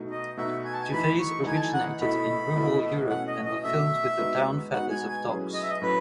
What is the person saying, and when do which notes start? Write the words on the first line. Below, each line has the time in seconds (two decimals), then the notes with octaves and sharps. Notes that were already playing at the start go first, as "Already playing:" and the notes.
Duvets originated in rural Europe and were filled with the down feathers of ducks.
Already playing: B2 A3 D#4 F#4
0.11 D#5
0.37 B2 A3 D#4 F#4 E5
0.65 G#5
0.73 A5
0.82 G#5
0.92 E3 A3 D#4 B5
1.19 C#6
1.46 E3 A3 D#4 G#5
1.56 A5
1.61 G#5
1.74 F#5
2.01 B2 A3 E4 A4 D#5 B5
2.56 B2 A3 E4 A4 D#5
3.09 B2 A3 C#4 F#5
3.28 D#5
3.45 D#5
3.64 B2 A3 C#4 E5
4.18 G#3 B3 D#4 F#4 B4
4.72 G#3 B3 D#4 F#4 B4 F#5
4.90 G#5
5.09 G#5
5.27 A2 F#3 C#4 G#4 B4
5.53 D#5
5.62 E5
5.69 D#5
5.82 A2 F#3 C#4 B4